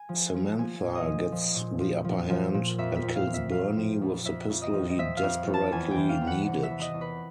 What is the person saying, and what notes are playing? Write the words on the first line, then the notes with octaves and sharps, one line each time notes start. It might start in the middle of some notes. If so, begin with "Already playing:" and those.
Samantha gets the upper hand and kills Bernie with the pistol he desperately needed.
Already playing: G#5
F3
F3
F3 G#5
A#2
D#5
F3
F3
A#2
F3
F3
F3
A#2
F2 E5
E5
F3
F5
F2
E5
F2 F5
F3
F2
F2 E5
F2
D#5
F3
D#5
F3 E5
F5
F2
F2
A5
E2 G#5
G5
E3
F5
E2
F#5
C3 F#5
E5
E3
D#5
E2
B4